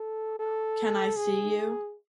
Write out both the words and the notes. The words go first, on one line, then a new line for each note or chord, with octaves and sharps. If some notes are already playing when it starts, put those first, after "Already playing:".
Can I see you?
Already playing: A4
A4
G#4